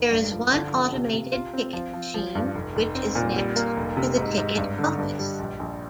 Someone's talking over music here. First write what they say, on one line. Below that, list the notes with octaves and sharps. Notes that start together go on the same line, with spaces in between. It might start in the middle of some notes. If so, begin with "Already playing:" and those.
There is one automated ticket machine, which is next to the ticket office.
Already playing: F1
G2
F3
D3
F3
C3
C3
F4
C4
F3
F3
F3
G2
F1
F1
C4
A#2
G3
A#3
F1
C3
G#2
G#2
G2
D3
G2
G3
A#1
A#1